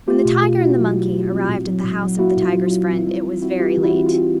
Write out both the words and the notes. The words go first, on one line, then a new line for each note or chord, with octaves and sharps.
When the tiger and the monkey arrived at the house of the tiger's friend it was very late.
A3 F4 G4
B2 F4
B2 F4
B2 E4 F#4
F#3
F#3
F#3
C4
A#2
F#3
A#2
F#3
A#3 E4 F#4
A#2
F4
F#3
F4
F#3
C4 F4
E4
G3 F4
G3
C4 E4 F#4
G3 F4 G4
E3
E4 F#4
C4
F4
C4